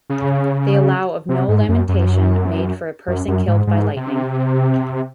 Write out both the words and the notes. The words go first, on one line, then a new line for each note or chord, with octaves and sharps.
They allow of no lamentation made for a person killed by lightning.
C#3
C3
G#2
F#2
F#2
F#2
F#2
G#2
G#2
C3